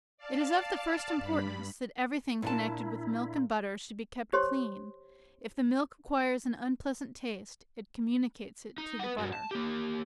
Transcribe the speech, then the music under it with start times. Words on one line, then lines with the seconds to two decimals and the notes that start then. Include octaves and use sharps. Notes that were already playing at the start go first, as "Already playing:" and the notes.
It is of the first importance that every thing connected with milk and butter should be kept clean; if the milk acquires an unpleasant taste, it communicates it to the butter.
0.17 D5 F5 A5
1.17 G2 B5
2.42 A#2 D4 E4 A5
4.33 G4 C5 C#5 C6
8.78 D#4
8.99 B4 F#5
9.18 G2 F#4
9.32 A5
9.51 A#3 G4